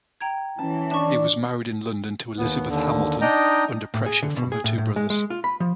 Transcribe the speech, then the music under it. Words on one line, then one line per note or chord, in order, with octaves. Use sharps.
He was married in London to Elizabeth Hamilton, under pressure from her two brothers.
G5 A#5 G#6
E3 C#4 A5
D4 A5 C#6
D#2 B3
D#2 D3
D4 D#4 D#5 G5 A#5
A2
G#4
D3
B2
G#4
A2
A2
G#3
G#3
F4
B5
F3